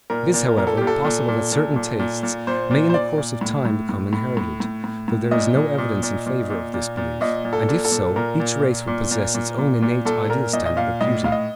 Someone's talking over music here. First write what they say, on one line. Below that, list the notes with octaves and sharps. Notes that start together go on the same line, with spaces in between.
It is, however, possible that certain tastes may in the course of time become inherited, though there is no evidence in favour of this belief: and if so, each race would possess its own innate ideal standard of beauty.
A#2 A#4
A#2
A#2 A#4
A4
A#2 G4
A4
A#2
A#2
A#2
A#2
A#2
A#2
A#2 C5
A#2
C5
A#2 D5
A#2
A2
A2
A2
A2
A2
A2
A2
A2
A#2 D#5
A#2
A#2
A#2
A#2
A#2
A#2
A#2
A#2 D#5
A#2
A4
A#2
A4
A#2
A#2 A#4
A#2
A#2
A#2
A#2
A#2
A#2
A#2
A#2 A4
A#2 A#4
A#2 D#5
D#5
A#2 F5
A2 D#5
A2 F5
D#5